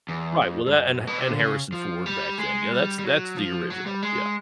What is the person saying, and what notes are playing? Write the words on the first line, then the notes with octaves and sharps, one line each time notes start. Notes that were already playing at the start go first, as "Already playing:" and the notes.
Right, well, that and Ha and Harrison Ford back then. Yeah, that's that's the original, yeah,
E2
F2
G2
F#2
B2
C3
D3
C#3
F3
G3
G#3
G3
G3
F#3
F3
F#3
G3
G#3